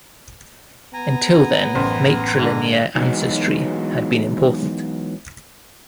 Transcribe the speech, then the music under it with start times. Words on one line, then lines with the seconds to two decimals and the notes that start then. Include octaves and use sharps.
Until then matrilinear ancestry had been important.
0.94 B3 G#5 A#5
1.75 A1 F#2 C5
2.38 G#2 D3
2.95 E3 F#3 G#3 B3 D#4 F#4